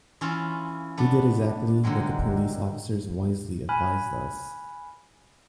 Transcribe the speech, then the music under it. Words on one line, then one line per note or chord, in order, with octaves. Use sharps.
We did exactly what the police officers wisely advised us.
E3 C#4 E4 F4
A3 B3 D4
D3 D#3 F#3 G#3
G#5 B5 F6 F#6